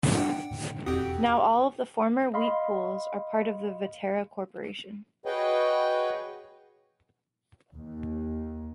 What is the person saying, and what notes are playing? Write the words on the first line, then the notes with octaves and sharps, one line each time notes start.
Now all the former wheat pools are part of the Viterra corporation.
D4 F#5 G5
A2 D3 D#3
E1 F2 C4 F#4 G4 D#6
D#5 F5 B5 C6
F#4 G#4 B4 C#5 D#5 G5
D#2